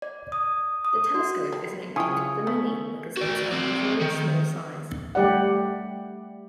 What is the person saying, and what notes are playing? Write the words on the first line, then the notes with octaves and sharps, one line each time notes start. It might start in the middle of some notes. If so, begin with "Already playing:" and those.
The telescope is nicknamed "The Mini" because of its unusually small size.
D5
D#6
D#6
F#4
G3
C#3 E4 F4 G5 G#5 C#6 D#6
A3 B3
F#4 D5
C4 D5
D#3
G3 A3 G4 D5 F#5